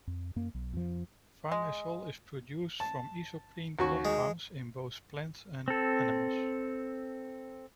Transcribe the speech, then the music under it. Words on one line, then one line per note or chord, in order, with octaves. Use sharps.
Farnesol is produced from isoprene compounds in both plants and animals.
F2
F#2 A#3
B1
F2 F3
G#3
A5
D#2 F#4 C#6
G#3
C4 A4